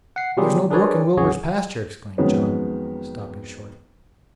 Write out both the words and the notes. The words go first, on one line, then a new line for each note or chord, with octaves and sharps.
"There's no brook in Wilbur's pasture!" exclaimed John, stopping short.
F#5 C7
B2 F#3 G3 F4 G4 G#4
D4 G#4 A#4 B4 C#5 D5
B1 F2 C#3 F#4 G#4 C#5
F2 D#3 F#3 G#3 B3 C#4